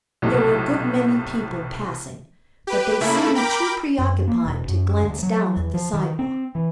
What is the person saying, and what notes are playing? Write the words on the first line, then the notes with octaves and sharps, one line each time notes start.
There were a good many people passing, but they seemed too preoccupied to glance down at the sidewalk.
B1 A2 C3
G4 B4
C#3 A3 A#3 E4 B5
A#4 G5 B5 D6
F#2
A#3
E1
F#2
D2
F#3
E2
F3
D#3
C4
E3